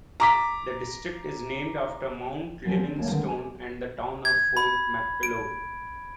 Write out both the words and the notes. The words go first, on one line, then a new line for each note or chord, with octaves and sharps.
The district is named after Mount Livingstone and the town of Fort Macleod.
A#5 D6 B6
F#2 F3 C#4
C4 D4
D2 A#3 C#5 F5 A5
D3 D#3 G#3 B3 C4
G#5
G#6
B5
D7